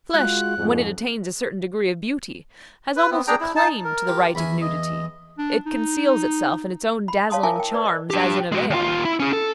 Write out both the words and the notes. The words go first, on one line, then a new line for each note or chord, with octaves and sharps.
Flesh, when it attains a certain degree of beauty, has almost a claim to the right of nudity; it conceals itself in its own dazzling charms as in a veil.
G#3 F4 F#4 F#6
F2 G#2
B4
B3 C4
D4 G#4 G5 A#5
E4
D#4 A5
A#4
F4 G4
E2 E4 G#5 B5
D#5
D4
D#4
B5
C#5 F5 A5 C6 D#6
E4 A#4 E5 G#5 A5 D6
A#4 G5
A#4 B4 D5
D#5
D4 G4
G#3 F#4
D#2 F4
E4
C#4 G#4
A4